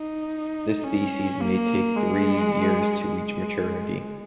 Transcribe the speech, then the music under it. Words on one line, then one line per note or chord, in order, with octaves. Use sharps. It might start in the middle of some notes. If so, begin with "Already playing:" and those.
This species may take three years to reach maturity.
Already playing: D#4
C#4
A#3
G#3
G#3